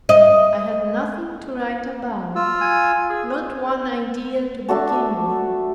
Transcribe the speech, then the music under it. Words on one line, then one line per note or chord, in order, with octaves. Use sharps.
I had nothing to write about, not one idea to begin with.
D#5
F4 E6
G#5
G#4
A3 D4 F#4 A5